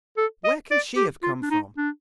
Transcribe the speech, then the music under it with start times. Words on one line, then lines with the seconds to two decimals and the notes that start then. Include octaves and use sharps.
Where can she have come from?'
0.17 A4
0.44 D#5
0.71 D5
0.96 G4
1.23 F4
1.42 D4
1.51 D#4
1.77 D4